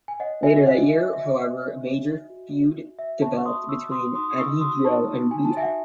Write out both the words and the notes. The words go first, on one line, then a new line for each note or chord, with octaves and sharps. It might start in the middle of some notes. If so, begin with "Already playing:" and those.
Later that year, however, a major feud developed between Ahidjo and Biya.
G#5
C#5 D#5 F#5
F#4 E5 G#5
C#5 D#5 F#5
C#5 E5
C#5 E5
F#4
C#5
C#5
C#5
F#4
F#4
F#4
C#5 E5
C#5 A5 C#6
C#6
F#4 C6 D#6
C#5 C#6 E6
F#4 C6 D#6
D#4 C6 D#6
D#6
D#4 C#6 E6
F#4 C6 D#6
D#4 A5 C#6
D#4
D#4 G#5
A5
F#4 E5 G#5